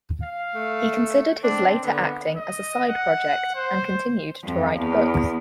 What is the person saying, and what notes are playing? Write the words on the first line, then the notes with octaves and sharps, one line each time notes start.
He considered his later acting as a side project and continued to write books.
F5
A3
C4 D4
D3 B3
D#5
F#5
C5
F2
E2